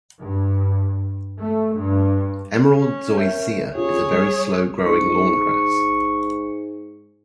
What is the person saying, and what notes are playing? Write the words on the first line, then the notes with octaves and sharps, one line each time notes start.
Emerald Zoysia is a very slow growing lawn grass.
G2
A3
G2
C#4
A#4 E5 G6
C#4 F4 G4 G#4 C#5
G3
G#2 C#6